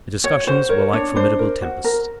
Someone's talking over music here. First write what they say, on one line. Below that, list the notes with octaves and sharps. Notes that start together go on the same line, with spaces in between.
The discussions were like formidable tempests.
F#4 C#5
F#4 C5
A#4 C#5
D4 C#5
D4 C5
A#4
F#4
A#4